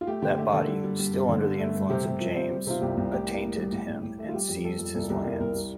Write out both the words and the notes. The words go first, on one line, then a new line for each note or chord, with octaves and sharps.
That body, still under the influence of James, attainted him and seized his lands.
F4
A3 G4
D3 G4
A3 G4
D3 A4
G3
G3
G3
G2
D3
G2
A3
G2
C3 G4
C3
F3
C4
G3
C3 F4
C2 G4
C2
A2 G4
A#3
A2
G3
A2
A2
A2
A3
F4
G3 G4
F2 G4
G3 A4
F2 A4
C2 A4
A4
C2 G4
C2 A#4
C2 A#4
G3